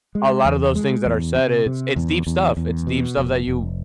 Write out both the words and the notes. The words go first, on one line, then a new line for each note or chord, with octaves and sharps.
a lot of those things that are said, it's it's deep stuff. It's deep stuff that you
G#3
E2
G#3
E2
C3
C3
E2
E2
E2
B2
F1
F1